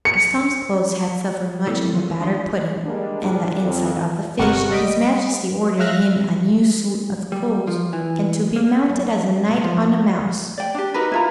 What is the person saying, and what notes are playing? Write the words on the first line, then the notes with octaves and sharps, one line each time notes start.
As Tom's clothes had suffered much in the batter-pudding and the inside of the fish, his majesty ordered him a new suit of clothes and to be mounted as a knight on a mouse.
C#7
F#3 G#3 A#3 C4 E4 A4
D#3 F#3 G#3 F4
D4 D#4 F4 F#4 C6
G3 G#3 A#3 D4
G#2 C#3 F3 G3 D4 F4
F2
G1 C3 G3 A#4 F#5 C#6
G3 D#5 B6 D7
E5 F5 F6 F#6 A#6
G3
F3
E3
A#3
F#2
B1
F3
D5 G5
D4 G4
D#4 F#4 A#4 B4
E4 F4 A#5